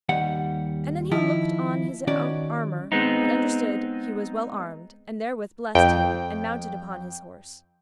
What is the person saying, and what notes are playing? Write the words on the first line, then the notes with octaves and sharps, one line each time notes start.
And then he looked on his armour, and understood he was well armed, and therewith blessed him and mounted upon his horse.
D#2 G3 F#5
D#3 F3 E4 F4
D#3 C#4 F#4 D5
G#3 B3 C4 D#4
F2 G5